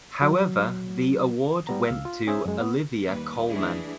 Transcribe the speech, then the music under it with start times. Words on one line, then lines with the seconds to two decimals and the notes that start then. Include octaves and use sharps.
However the award went to Olivia Colman.
0.22 F#3
1.67 G3 B3 A#5
1.86 C#2 F5 E6
2.05 F4
2.27 C#4 G#4 C5 E5
2.46 F#2 G#3
2.60 B3
3.08 D#2 G3 B4
3.49 E3 A3 D4 E4 G#4